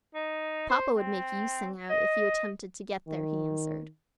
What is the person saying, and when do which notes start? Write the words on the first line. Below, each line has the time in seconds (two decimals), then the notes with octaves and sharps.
'Papa would make you sing out, if you attempted to get there,' he answered.
0.14 D#4
0.69 C5
0.95 C4
1.90 D#5
3.08 D#3